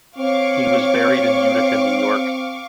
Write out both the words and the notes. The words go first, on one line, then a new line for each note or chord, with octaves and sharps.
He was buried in Utica, New York.
C4 C#5 F5 C#6 D6